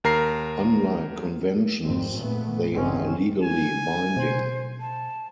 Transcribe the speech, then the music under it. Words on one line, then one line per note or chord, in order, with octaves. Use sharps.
Unlike conventions, they are legally binding.
D#2 A#4 A#5 C7
G#1 F2 C4
A#2 A3 B3
G1 C2 C#3 G#3 C4 C#4
G#5
B2 C5
A5